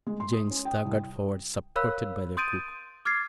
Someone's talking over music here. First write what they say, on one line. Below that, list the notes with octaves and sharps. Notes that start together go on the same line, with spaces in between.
Jane staggered forward supported by the cook.
G#3
C6
D#6
C#4
G5
C2
A#4 C#5 F5 B5 E6 F#6
C6 D#6 G6 A6 D7 D#7
D6 F6 G#6 A6 C7